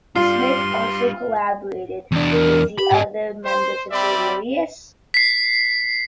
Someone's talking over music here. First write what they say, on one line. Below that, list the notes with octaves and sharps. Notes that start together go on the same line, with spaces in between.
Smith also collaborated with the other members of Delirious?
G3 D4 F4 C6
E2 D4
A#4
G4 B5
G#2 D5
C5
G3 C4 D5 E5 B5
B6 C7